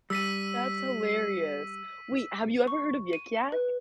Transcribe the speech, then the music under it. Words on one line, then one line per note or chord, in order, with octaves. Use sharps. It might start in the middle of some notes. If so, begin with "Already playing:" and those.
That's hilarious. Wait, have you ever heard of Yik Yak?
G3 E6 B6 D#7
C#6
D#7
B4